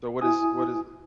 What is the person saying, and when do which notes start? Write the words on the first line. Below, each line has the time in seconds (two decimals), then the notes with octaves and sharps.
So, what is what is
0.21 E4 G#5 D#6